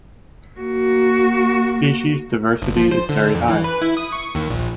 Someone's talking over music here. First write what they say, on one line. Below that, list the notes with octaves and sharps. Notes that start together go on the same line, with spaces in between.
Species diversity is very high.
A#3 F#4
G1
F3
C5
D3
F2
E3
B4
E4
D#6
C#6
D#2
A#1